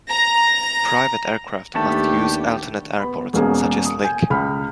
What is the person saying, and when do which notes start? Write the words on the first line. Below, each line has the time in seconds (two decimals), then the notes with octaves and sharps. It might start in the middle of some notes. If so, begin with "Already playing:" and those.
Private aircraft must use alternate airports, such as Lic.
0.11 A#5
1.75 D#2 A3 B3 D4 G4 A5
2.99 B3 B5
3.33 E1 B2 A#3 C#4 G#4
3.85 D#6
4.04 G#5 G6
4.30 C#2 B5 F6